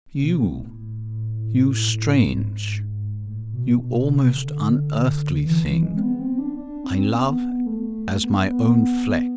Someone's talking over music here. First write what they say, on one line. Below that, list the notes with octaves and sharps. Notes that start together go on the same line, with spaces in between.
You--you strange, you almost unearthly thing!--I love as my own flesh.
B2
A2
A2
A2
G#2
A2
B2
B2
C3
D3
E3
E3
G#3
C4
B3
C4
D4
D4
C4
B3
A3
B3
B3